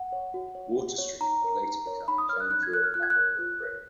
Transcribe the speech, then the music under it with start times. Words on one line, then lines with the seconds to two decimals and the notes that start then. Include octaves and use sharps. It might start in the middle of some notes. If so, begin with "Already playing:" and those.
Water Street would later become Plainfield-Naperville Road.
Already playing: F#5
0.12 C#5
0.34 F#4
0.55 C#5
0.77 F#4
0.98 C#5
1.20 D#4 A#5
1.42 A#4 C#5
1.64 D#4
1.86 A#4 C#5
2.08 D#4 B5
2.18 D#6
2.29 A#4 C#5 F6
2.40 F#6
2.51 D#4 F#6
2.63 G#6
2.73 A#4 C#5 F#6
2.84 F6
2.94 F4 F#6
3.03 G#6
3.10 F#6
3.16 A#4 C#5
3.39 F4
3.60 A#4 C#5